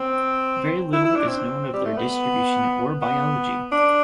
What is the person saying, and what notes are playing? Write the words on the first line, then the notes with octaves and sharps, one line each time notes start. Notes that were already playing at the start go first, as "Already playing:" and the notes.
Very little is known of their distribution or biology.
Already playing: C4
E4
E4
D4
C4
G3
A3
B3
B3
D4